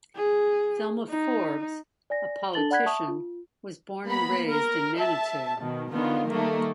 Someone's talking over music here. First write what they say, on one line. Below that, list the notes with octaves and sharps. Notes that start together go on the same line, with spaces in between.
Thelma Forbes, a politician, was born and raised in Manitou.
G#4
D#4
D5 G#5 A#6
D4 A4 A5 A6 F#7 G7
D5 F#5 B5 F#6 G#6 B6
E5 A5 C#6 D#6
F4
A#3 B3 B5
A#4
E5 A5
B2 D#3
D3 D#3 B3 F4 A#4
D#3 G3 A3 A#3